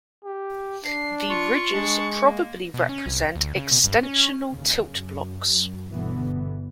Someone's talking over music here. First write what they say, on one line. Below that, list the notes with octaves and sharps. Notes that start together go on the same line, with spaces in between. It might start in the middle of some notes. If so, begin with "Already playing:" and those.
The ridges probably represent extensional tilt blocks.
G4
D4 C7
F4 C#6
G#3 D4
A#3
B2
C#4
C2
D2
C#3
B2
G2
C#4
D#2 C#3
F#2
G1 G2 B2 D3 E3 B3